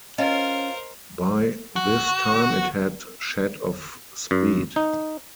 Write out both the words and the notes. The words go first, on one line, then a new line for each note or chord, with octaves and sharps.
By this time it had shed of speed.
C#4 F4 A#4 C5 D#5
F#4
F#2
D#4